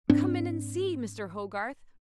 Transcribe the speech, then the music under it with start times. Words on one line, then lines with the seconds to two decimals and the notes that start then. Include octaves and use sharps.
Come in and see Mr. Hogarth.
0.10 G#2 C4 D4